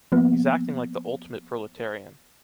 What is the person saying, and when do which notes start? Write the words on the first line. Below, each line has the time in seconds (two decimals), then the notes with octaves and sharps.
He's acting like the ultimate proletarian.
0.12 F3 A#3 B3